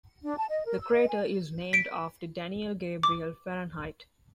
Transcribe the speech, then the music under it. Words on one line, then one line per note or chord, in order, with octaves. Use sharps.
The crater is named after Daniel Gabriel Fahrenheit.
D4
A5
D#5
A#4
E6
D#5
G#5
B6 D7
D6